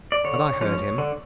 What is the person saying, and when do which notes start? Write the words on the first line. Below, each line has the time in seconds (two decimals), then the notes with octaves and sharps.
Had I heard him?
0.12 D5
0.24 D3 C#5
0.61 F3 G#3 C#4 C#5
0.98 D3